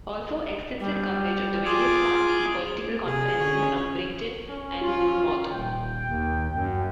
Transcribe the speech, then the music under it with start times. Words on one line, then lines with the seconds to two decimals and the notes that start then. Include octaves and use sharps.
Also extensive coverage of the various party political conferences from Brighton and Bournemouth.
0.79 G3
1.65 F4 G#4 D6
3.06 C3 G#4
3.38 D3 C#4 C#5
4.49 C#4
4.81 F4
5.51 D#1 G5
6.08 D#2
6.55 F#2